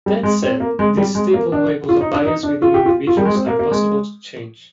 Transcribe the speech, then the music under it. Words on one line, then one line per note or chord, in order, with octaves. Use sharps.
That said, these stable levels of bias within individuals are possible to change.
G3
G#3
C4
A#3
G#3
G3
G#3
A#3
D4
F4
D#4
D4
D#4
D4
F4
G4
F4
F4
G3
G#3
C4
A#3
A#3
G#3